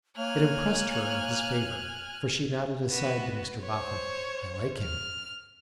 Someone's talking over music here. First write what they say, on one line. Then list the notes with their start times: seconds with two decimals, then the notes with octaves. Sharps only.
It impressed her in his favour, for she nodded aside to Mr Boffin, 'I like him.'
0.18 A#3 C#5 G#5 F6 F#6
2.89 B3 F#4
3.62 C5 C#5
4.80 F6